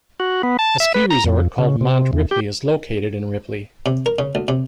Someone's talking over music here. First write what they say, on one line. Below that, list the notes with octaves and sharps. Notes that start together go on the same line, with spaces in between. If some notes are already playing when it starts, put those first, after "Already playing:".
A ski resort called Mont Ripley is located in Ripley.
F#4
B3
A5
E5
B4
A#5
F2
C#3
C3
E2
G4
C3
A#4
C#3
D2
C3